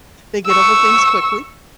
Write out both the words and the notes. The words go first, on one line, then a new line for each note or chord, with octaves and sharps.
they get over things quickly,
C#6 E6